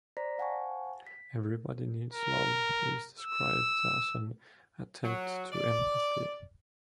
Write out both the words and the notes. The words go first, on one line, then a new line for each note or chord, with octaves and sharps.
"Everybody Needs Love" is described as an "attempt to empathy".
C5 D5 A#5 A#6 B6
C5 F5 F#5 G#5 A5 C#6
B6
A#4
E6
F#3
D5